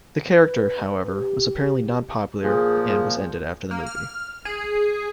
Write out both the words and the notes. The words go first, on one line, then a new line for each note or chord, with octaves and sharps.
The character, however, was apparently not popular and was ended after the movie.
B4
G4
A#2 F3 G#4
A#3
F6
G#4